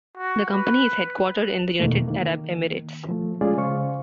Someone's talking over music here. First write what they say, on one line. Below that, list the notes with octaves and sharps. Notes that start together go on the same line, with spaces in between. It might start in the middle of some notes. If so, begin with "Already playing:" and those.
The company is headquartered in the United Arab Emirates.
F#4
B4
E2 B2 D#3 A3 A#3
D#3 A#3
F3 A3
G#3 C#4 F4 G#4 D5
C#3 C5 F5 C#6